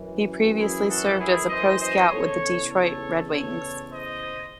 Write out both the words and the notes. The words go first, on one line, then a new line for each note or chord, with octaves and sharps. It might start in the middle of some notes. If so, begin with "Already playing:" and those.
He previously served as pro scout with the Detroit Red Wings.
Already playing: F#2 E3
E4 G#4
F#4 A4
E4 G#4
C5 D#5
C5 D#5
E2 C#3 E3 A4 C#5
A4 C#5
A4 C#5
C5 D#5